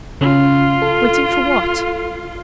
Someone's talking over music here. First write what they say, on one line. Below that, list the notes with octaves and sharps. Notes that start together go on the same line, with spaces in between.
Waiting for what?
C#3 C#4 F4
A4